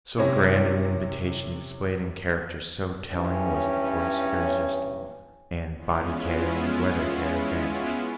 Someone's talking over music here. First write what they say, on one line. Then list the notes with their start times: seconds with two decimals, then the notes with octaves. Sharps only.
So grand an invitation displayed in characters so telling was of course irresistible, and body-care and weather-care vanished.
0.18 C3 C#4 E4
3.12 G2 E3 C#4
5.75 G#3 B3 C#4 E4 F4